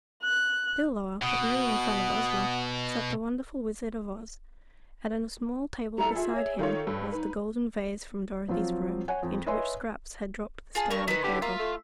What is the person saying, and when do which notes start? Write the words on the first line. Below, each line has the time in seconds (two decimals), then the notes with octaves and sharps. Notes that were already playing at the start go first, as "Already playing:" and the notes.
Still lower, but nearly in front of Ozma, sat the wonderful Wizard of Oz and on a small table beside him was the golden vase from Dorothy's room, into which Scraps had dropped the stolen clover.
0.24 F#6
1.23 B2 F#5 D#6
5.98 G3 E4 A4 A#5
6.15 F4 G#4 E5
6.35 C#5
6.59 D#3 F4 A4 C#5
6.87 G2
7.12 D#4 B4
8.48 F3 F#3 C4 F4
9.08 C#5 F#5 G#5
9.23 F2
9.46 B4 C#5 D#5 E5 G#5 C6
10.75 F4 G#4 A5
10.91 G2 A#4 C#6
11.08 D#3 E4 B4
11.24 D3 G4
11.42 A#3 F4 E5 F5
11.59 A3